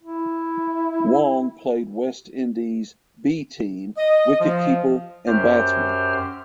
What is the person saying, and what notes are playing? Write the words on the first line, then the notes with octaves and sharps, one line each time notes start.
Wong played West Indies ‘B’ team wicketkeeper and batsman.
E4
D#5
F3
F#2 G4 C5 F6